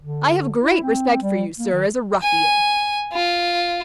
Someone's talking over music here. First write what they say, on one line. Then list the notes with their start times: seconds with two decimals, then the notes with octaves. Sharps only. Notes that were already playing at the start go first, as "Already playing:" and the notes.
I have great respect for you, sir, as a ruffian.
0.01 D3
0.61 E4
0.82 C4
1.22 G3
1.58 A#3
1.73 D#3
2.23 G#5
3.13 F4